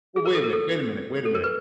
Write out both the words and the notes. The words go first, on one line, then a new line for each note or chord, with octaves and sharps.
Wa wait a minute wait a minute wait a minute,
G#4
A#4
A4
A#4
A4
A4
A#4
B4